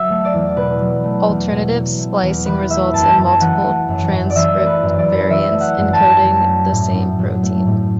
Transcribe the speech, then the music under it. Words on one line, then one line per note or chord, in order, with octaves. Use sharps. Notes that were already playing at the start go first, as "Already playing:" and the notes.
Alternative splicing results in multiple transcript variants encoding the same protein.
Already playing: F#3 E5 E6
A3
D5
E2
B2 B4
F#3
A3
E2
B2
F#3
A3
E2
E3 B4
A3 E5
F#2 A5
F#2 A5
E3 F#5
A3
F#2
F#2
D5
E3 E5
A3
B4
F#2
D5
F#2
E3 E5
A3
F#5
F#2
A5
F#2
F#3
A3
A2
A2
F#3
A3
A2